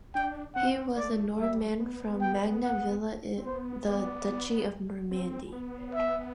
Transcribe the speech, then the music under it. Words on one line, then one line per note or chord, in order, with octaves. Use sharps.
He was a Norman from Magna Villa in the Duchy of Normandy.
D4 G5
C4 F#5
A3 D5
G3 E5
B3
G5
F#5
C4
B3 C5
D5
C4
B3
E5